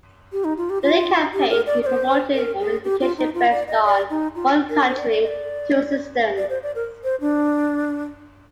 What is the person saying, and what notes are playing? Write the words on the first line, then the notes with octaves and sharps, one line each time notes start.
During the campaign, he promoted unification based on "one country, two systems".
G4
D#4
F4
G4
F4
G4
A#4
D5
D5
C5
A#4
G#4
G4
F4
D#4
F4
D5
D#5
D5
D#4
F4
A#4
C5
D5
D5
D#5
D5
D5
C5
D5
A#4
C5
D4